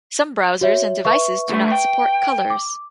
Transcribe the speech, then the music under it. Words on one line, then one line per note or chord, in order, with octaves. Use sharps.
Some browsers and devices do not support colors.
F#4 C#5 E5
B4 E5 C#6
D2 A3
G5
D6